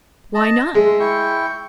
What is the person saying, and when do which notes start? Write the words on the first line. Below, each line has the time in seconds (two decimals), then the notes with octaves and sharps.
Why not?
0.34 D#5 A5
0.75 G#3 E5
1.00 E4 G5 C#6